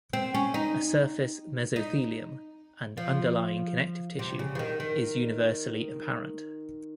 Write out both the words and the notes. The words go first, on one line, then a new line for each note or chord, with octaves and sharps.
A surface mesothelium and underlying connective tissue is universally apparent.
C4
C#4
D#4
D#4
F3
C3
C#3
F3
D#3
D#3